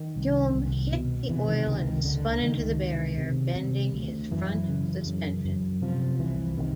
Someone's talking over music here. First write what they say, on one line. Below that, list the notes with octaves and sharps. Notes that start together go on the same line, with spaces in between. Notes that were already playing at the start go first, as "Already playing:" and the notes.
Hulme hit the oil and spun into the barrier, bending his front suspension.
Already playing: D#3
C2
C2
B2
C3 E3
D#3
C#2 D#3
D#3
C#2 D3
C#2 D#3
C3
C3
C3
D2
F#2 E3
C#3
F#2
F#2
C3 F3
C2 E3
C3 D#3